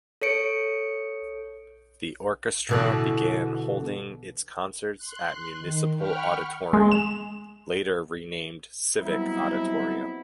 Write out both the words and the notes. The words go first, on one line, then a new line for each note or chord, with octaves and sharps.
The orchestra began holding its concerts at Municipal Auditorium, later renamed Civic Auditorium.
A4 C#5 C#7 D7
B2 D3 E3
C6 F#6
D#3
F#5 G5 B5 C#6 F6
G#3
E7
F#3 G3 B3 C4 D#4 E4